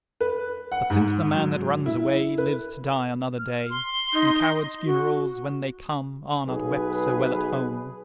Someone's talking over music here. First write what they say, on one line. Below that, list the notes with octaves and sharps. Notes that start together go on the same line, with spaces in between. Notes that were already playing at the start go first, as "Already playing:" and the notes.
"But since the man that runs away Lives to die another day, And cowards' funerals, when they come Are not wept so well at home."
B4
F#5
G#2
F#3
E4
B4
F6
C6
D#4
F#4
B1 G#4 B4